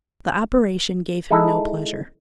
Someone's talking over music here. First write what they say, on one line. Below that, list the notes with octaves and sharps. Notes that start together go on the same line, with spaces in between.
The operation gave him no pleasure.
G#3 D#4 E4 A4